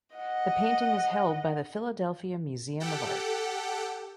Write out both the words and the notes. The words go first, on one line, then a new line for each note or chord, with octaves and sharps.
The painting is held by the Philadelphia Museum of Art.
D#5 F#5
G4 A4 F#5 G5